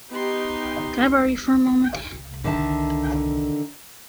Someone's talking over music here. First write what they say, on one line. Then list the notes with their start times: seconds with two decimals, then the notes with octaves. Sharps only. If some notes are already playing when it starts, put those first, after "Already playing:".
Can I borrow you for a moment?
0.11 B3 D#4 G4 C6
2.44 D3 D#3 E5 A5